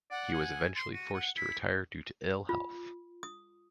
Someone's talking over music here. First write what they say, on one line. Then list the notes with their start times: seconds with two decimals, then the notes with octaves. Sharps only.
He was eventually forced to retire due to ill health.
0.11 D5 F#5
0.34 G#5
0.76 C6
0.93 F#4 D#7
1.14 F#5
1.37 E4 B6
2.49 F4
3.23 D#6